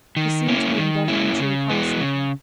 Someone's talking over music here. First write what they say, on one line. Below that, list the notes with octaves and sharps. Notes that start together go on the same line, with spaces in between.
She seemed to be endeavoring to recall something.
D#3
A#3 C#4 E4
D#3
A#3 C#4 E4
C#3
E3 G#3 B3
C#3